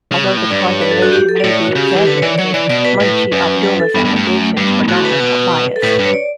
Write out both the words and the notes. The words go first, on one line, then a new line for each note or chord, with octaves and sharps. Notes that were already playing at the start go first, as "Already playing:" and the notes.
Although the condemnation may be exaggerated, Munshi Abdullah's allegations were not without basis.
C#3
B2
A2
G2 D5
C#5
C#5
B4
A4
F#4
G4
A4
D5
A2 C#5
C#5
F#4
C#3 G4
E3 G4
D3 B4
C#5
E3 D5
F#3 C#5
E3 D5
B2 D5
B4
A2
F#2
B4
A4
G2 B3
G2
A3
G2
F#2 A3
G2 G3
B3
A3
A2 F#4
D3 B4
C#3
B2 B4
A4
A2 B4
G2 B4
C#5
D5